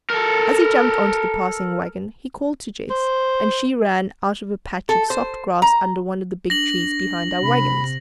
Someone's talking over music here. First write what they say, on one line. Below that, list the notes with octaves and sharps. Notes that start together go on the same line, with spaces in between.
As he jumped on to the passing waggon he called to Jess, and she ran out of a patch of soft grass under one of the big trees behind our waggons.
A4 A#4
C5
A4
C5
A#5
D4 A#6 F#7
C3 B5